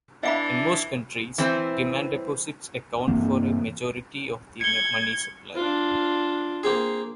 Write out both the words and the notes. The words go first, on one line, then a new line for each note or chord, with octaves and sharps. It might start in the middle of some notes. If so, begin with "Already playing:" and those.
In most countries, demand deposits account for a majority of the money supply.
E3 D4 E5 F5 B5
E3 C4
G2 E3 A#3 C4
G#6 C#7 G7
D4 F4
A#3 C4 G#4